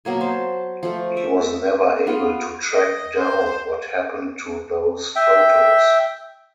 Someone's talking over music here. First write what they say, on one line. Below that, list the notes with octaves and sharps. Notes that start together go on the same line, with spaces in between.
He was never able to track down what happened to those photos.
B2 F#3 A#3 G#5
C5 A5
F3 A3
E5
B3 F4 F5
D#5
C5
E5 G5